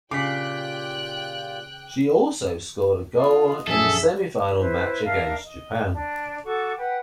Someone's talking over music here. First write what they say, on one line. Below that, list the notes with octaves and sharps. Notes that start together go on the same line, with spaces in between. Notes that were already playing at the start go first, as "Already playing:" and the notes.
She also scored a goal in the semifinal match against Japan.
A#2 C#3 F4 G4 G5 D6 F#6 B6
F4 D#5
A#1 F#2 G#4 A4 E5
E4 B4 C5
D4 A#4 E5 F5
D#5
D4
F#4 A4 C#6 D6
B4 F#5 G5